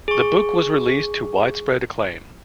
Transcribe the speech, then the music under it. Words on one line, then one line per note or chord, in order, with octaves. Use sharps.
The book was released to widespread acclaim.
G#4 C#6